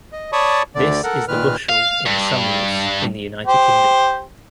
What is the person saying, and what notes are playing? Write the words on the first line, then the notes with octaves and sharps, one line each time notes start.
This is the bushel in some use in the United Kingdom.
D#5
C#5 D5 A5 B5 C#6 D#6
D2 D3 D5
A4 A#4 F#5
A#2 D#3 B4 F6
F5
G2
G4 C5